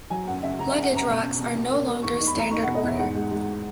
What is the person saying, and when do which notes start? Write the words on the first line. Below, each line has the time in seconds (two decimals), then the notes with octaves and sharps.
Luggage racks are no longer standard order.
0.10 F#3 G#5
0.27 F#2 F#5
0.43 C#3 E5
0.59 C#3 A#5
0.71 C#3 E5
0.83 F#5
0.91 F#2 A#5
1.07 B2
1.23 C#4
1.39 B2
1.55 B2
1.71 A#3
1.87 A#3
2.03 E2 C#6
2.15 D#4 C#6
2.27 B5
2.35 E2 A#5
2.51 D#4 C#6
2.63 B2 F#5
2.75 D#5
2.83 E2 E5
2.99 G#2 F#5
3.15 G#3
3.31 G#3